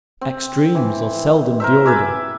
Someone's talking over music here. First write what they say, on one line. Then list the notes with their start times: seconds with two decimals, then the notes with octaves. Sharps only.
Extremes are seldom durable.
0.21 C4
0.75 E3
1.60 A#4 C5 E5
1.86 B4 E5 G#5 D6